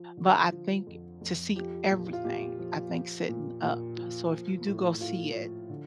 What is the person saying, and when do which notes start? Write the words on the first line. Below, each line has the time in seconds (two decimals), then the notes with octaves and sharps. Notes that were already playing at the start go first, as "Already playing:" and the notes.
but I think to see everything I think sitting up So if you do go see it
Already playing: F3
0.17 D3
0.52 F3
0.87 F2
1.21 F2
1.56 F3 G4
1.90 A#2
2.13 F4
2.24 A#2 G4
2.59 F3
2.94 F3
3.28 A#2
3.63 A#2
3.97 F3
4.32 F3
4.66 A2
5.01 A2 F4
5.35 F3
5.70 D3